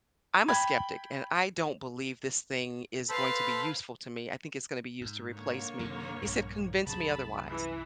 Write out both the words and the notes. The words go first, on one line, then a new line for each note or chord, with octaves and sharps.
"I'm a skeptic, and I don't believe this thing is going to be useful to me, I think it's gonna be used to replace me." He said, "Convince me otherwise,"
G5 B5 G#6
A4 B4 C5 F5 B5
G#2
D3 A#3 C#5
F#2 C3 D#3
A#1 G2
C2 F#2 G#4 A5 B5
E3